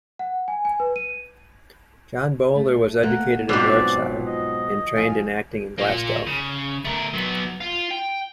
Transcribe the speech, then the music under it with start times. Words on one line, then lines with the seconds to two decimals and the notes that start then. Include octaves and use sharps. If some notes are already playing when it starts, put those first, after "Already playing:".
John Bowler was educated in Yorkshire, and trained in acting in Glasgow.
0.19 F#5
0.48 G#5
0.65 G#5
0.80 B4
0.96 D#7
2.55 A3
3.03 A3 A#3 F#5
3.49 G#2 B2 F3 F#3 B3 C4 D5
4.26 D#5
4.95 F3 F5 G#5
5.79 A#3 F4
6.26 C#3
6.85 A3 A#4
7.14 F#3 B3
7.61 F4
7.91 G5